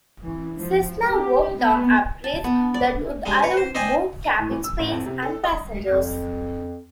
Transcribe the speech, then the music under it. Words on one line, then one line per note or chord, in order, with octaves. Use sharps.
Cessna worked on upgrades that would allow more cabin space and passengers.
E3
F3
G4
B3
A5
B3
D5
G3 G#3 D4
B4 C#5
C5
D#4 C5 D5 D#5 G5 G#5
D#7
A2
E3
E6
A1
F2
C3
A4
D#5
F2